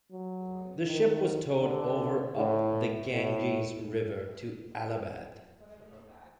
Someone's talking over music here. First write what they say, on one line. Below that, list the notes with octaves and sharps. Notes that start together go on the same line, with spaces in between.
The ship was towed over up the Ganges River to Allahabad.
F#3
D#3
D3
A2
A2